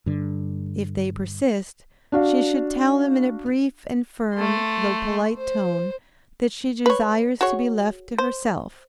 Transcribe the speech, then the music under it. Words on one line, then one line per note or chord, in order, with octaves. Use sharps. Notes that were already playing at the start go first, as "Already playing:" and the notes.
If they persist, she should tell them in a brief and firm, though polite tone, that she desires to be left to herself.
G2 D3
D4 F#4 F5
A3 C6
C5
B4 C#5
F#4 G#4 C#5
C5